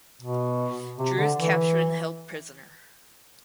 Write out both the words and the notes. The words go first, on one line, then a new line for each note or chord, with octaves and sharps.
Drew is captured and held prisoner.
B2
C3
D3
E3